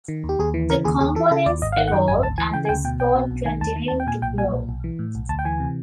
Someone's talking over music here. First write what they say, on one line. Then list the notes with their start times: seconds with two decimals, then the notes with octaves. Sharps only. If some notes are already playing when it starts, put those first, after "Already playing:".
The components evolved, and the sport continued to grow.
0.08 D#3
0.24 D#2
0.29 G4
0.39 D#2 G#4
0.54 E3
0.70 C#3 A#4
0.84 D#2 G#4
1.01 D#2 G#4
1.15 E3 A4
1.31 C#3 A4
1.46 D#2 D5
1.62 G#1 D#5
1.72 F5
1.76 D#3 F#5
1.88 F#5
1.92 F#2 G5
2.08 G#1 G#5
2.22 D2 A5
2.38 E3 G#5
2.54 C#3 G5
2.65 G#5
2.69 D2 G5
2.84 B2 G5
2.99 B1 G5
3.15 B2
3.31 B1
3.45 D#3 G#5
3.61 D#2 A5
3.76 D#3
3.88 A5
3.92 D#2
4.00 G5
4.07 A#2 G#5
4.22 B1 G5
4.38 A#2 G#5
4.53 B1
4.69 B1
4.84 E3
4.99 A2
5.15 B1
5.29 D2 A5
5.39 G5
5.45 E3 G#5
5.60 C3